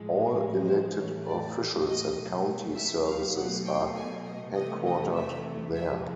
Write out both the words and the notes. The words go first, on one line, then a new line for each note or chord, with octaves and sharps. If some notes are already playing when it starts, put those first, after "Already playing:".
All elected officials and county services are headquartered there.
Already playing: A2 F3 G#3
C5
A2 E3 A3 C#5
D5
D#5
B2 F#3 A3
E5
F5
B2 F#3 A3 F#5
G5
G#5
D#5
C3 E3 A3 D#5
D#5
E5
C3 F3 G#3 E5